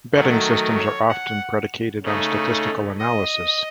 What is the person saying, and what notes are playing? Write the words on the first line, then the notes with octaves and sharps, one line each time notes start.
Betting systems are often predicated on statistical analysis.
D#3 F#3 A3 F#4
C#5
F#5
C#3 A3 D#4
D#5